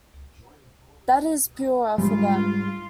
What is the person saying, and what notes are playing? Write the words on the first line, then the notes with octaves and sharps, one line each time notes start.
That is purer for them.
G#2 G3 G#3 F4